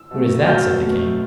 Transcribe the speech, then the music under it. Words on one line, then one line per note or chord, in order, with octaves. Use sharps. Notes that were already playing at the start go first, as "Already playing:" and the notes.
"What is that?" said the king.
Already playing: E6
B2 F#3 A3
B2 F#3 A3 F6 G6
B2 F#3 A3